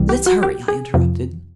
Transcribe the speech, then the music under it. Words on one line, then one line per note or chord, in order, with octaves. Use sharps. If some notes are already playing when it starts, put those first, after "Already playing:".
"Let's hurry!" I interrupted.
Already playing: C2 C3 E3 G3
G4
F#4
G4
G#4
F2 C3 F3